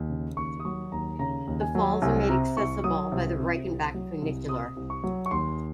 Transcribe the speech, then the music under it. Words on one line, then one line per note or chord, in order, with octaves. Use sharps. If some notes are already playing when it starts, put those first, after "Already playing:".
The falls are made accessible by the Reichenbach Funicular.
Already playing: D#2
C#3
D#2 C#6
D#6
F#3 C#6
D#2 A#5
C#3 A#5
D#2
G#5
F#3
C2 G#5
C3 A#5
C2 C#6
F#3 D#6
C2
C3
C2
F#3
C2
C3 D#6
C2
C#6
F#3
C#6
D#2 C6